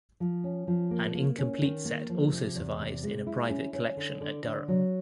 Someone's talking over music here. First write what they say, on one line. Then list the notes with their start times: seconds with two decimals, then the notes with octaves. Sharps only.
An incomplete set also survives in a private collection at Durham.
0.20 F3
0.44 C#4
0.67 F3
0.91 A#3
1.14 A#3
1.38 C#4
1.61 D#3
1.85 A#3
2.09 F3
2.32 C3
2.55 E2
2.80 C3
3.03 G#3
3.27 E4
3.50 C#4
3.73 C#4
3.97 D3
4.20 D3
4.43 D3
4.68 F#3